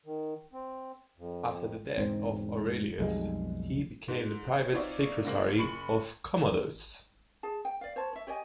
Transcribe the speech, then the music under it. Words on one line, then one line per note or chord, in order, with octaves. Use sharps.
After the death of Aurelius he became the private secretary of Commodus.
D#3
C4
F2
E1 G#2 C4
B1 F2 G3 G#3
G#2
C4 D#4 F4 C#5 D5 E5
D3 G#3 A#3 C4 F#7
F#1 B5 C#6 C#7 F#7
G#4 A5
G5
D5 F5
C5 C#5 A5
C#5 E5
G4 C#5 D#5 G#5